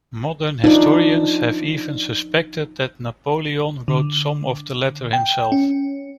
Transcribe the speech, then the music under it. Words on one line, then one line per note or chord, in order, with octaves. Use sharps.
Modern historians have even suspected that Napoleon wrote some of the letter himself.
F3 D4 D#4
D3
G5
C#4